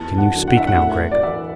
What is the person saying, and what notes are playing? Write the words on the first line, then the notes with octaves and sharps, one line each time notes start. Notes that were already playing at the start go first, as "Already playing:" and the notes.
"Can you speak now, Gregg?"
Already playing: E2 A5
F#5
D3 F#3
F#5
E5
F#5
A2 F#5
D5
E3 E5